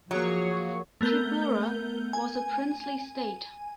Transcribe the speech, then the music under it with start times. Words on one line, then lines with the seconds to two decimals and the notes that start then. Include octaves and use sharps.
Tripura was a princely State.
0.11 F3 F#3 A#3 F#4 G#4 C#5 C#6
1.01 A3 B3 A#4 G6 G7
2.13 G#5